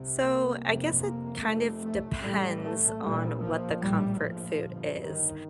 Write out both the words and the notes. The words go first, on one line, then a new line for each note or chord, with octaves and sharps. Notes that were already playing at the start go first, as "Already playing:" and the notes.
So, I guess it, kind of, depends on what the comfort food is,
Already playing: C2 C3
A#3
F1 F2 C3
A#3
F1 F2 C3 A3
A3
A1 A2 G3
A3
A#1 A#2 G3
F3
A#1 A2 G3
F3
G1 G2
D#3